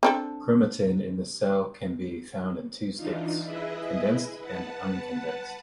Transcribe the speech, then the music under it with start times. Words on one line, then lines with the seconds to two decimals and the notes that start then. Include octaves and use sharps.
Chromatin in the cell can be found in two states: condensed and uncondensed.
0.03 C4 D4 A4
2.96 E3 D4 D#4 F4
3.45 E4 G#4 B4 D#5 E5
4.39 B4 F#5 A5